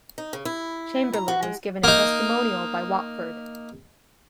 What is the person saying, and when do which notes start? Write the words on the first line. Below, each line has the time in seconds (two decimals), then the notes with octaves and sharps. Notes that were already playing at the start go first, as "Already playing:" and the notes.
Chamberlain was given a testimonial by Watford.
0.18 D#4
0.33 C#3
0.45 E4
1.13 A#5
1.28 F#4
1.43 G#3
1.84 A#3 D#4